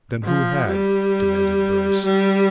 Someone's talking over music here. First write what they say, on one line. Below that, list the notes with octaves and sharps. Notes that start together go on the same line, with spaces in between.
"Then who had?" demanded Bryce.
F3
G3
G3